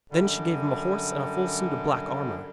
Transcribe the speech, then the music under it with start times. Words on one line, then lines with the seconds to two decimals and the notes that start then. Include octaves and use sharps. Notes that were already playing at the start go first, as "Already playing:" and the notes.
Then she gave him a horse and a full suit of black armour.
0.11 F#2 D3 G3